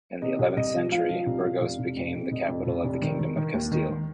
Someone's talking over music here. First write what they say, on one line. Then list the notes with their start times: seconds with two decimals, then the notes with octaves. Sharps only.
In the eleventh century, Burgos became the capital of the Kingdom of Castile.
0.22 C3 D#5
0.39 C2
0.57 C2 D#5
0.74 F3
0.91 F3 F5
1.09 F3
1.27 C2
1.45 F3
1.61 F1
1.79 F1
1.97 F2
2.15 F2
2.32 F1 D#5
2.49 F2
2.67 F1
2.84 F1
3.02 D#3
3.19 D#3
3.37 D#3
3.54 D#2
3.72 D#3
3.89 D#3